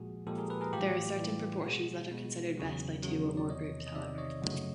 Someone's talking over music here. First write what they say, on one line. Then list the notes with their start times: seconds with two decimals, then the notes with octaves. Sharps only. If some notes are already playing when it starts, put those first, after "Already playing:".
There are certain proportions that are considered best by two or more groups however.
Already playing: A#2 F3 G#3 F#4 G#4
0.26 A#2 F3 G#3 G4 A4
0.38 G#4 A#4
0.50 A4 B4
0.61 G#4 A#4
0.73 A2 E3 G3 F4 G4
1.19 A2 E3 G3
1.65 B2 G#3 F#4 G#4
2.11 B2 G#3
2.57 E2 C#3 F#3
3.03 E2 C#3 F#3
3.37 D5
3.50 E2 C3 D#3 C#5 D#5
3.87 D#5
3.95 E2 C3 D#3 D5 E5
4.18 C#5 D#5
4.42 F#2 C#3 F#3 A3